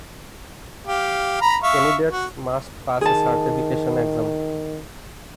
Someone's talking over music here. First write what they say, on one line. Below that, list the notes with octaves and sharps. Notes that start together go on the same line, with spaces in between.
Candidates must pass a certification exam.
G4 F5
A#5 B5
E5 F5 C#6
F#4
D#3 G#4 A5